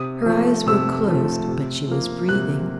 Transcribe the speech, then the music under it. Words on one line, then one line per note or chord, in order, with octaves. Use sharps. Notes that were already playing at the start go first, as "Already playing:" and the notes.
Her eyes were closed, but she was breathing.
Already playing: C3 D#6
F3 A3
C3 E6
F3 A3
C3
F3 A#3
C3 F#6